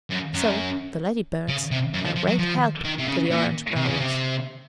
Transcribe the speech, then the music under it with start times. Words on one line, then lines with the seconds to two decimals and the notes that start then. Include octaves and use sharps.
So the lady-birds are a great help to the orange-growers.
0.11 F#2
0.34 F#2
1.48 C#3
1.71 C3
1.94 F#2
2.06 F3
2.17 F3
2.28 F#3
2.40 F3
2.85 D#3
2.99 C3
3.08 C#3
3.31 A#2
3.76 C3
3.89 C#3
4.01 C3